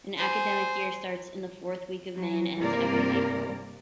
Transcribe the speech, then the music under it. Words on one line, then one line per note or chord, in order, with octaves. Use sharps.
An academic year starts in the fourth week of May and ends every April.
G#4 C5
F#3
G2 C3 A#3 C4 A#4 D5